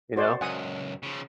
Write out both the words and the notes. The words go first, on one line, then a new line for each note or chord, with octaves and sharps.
you know?
F#4 C5 D5
C#2 F#2 F#5 G#5 D#6
C#3 F3